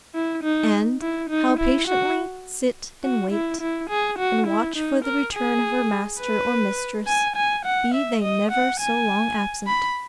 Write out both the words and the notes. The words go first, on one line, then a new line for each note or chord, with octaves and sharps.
And, how patiently sit and wait, and watch for the return of her master or mistress, be they never so long absent!
E4
D#4
E4
D#4
E4
F#4
F#4
E4
E4
G#4
F#4
E4
D#4
A#4
G#4
B4
G#5
G#5
F#5
E5
D#5
F#5
G#5
B5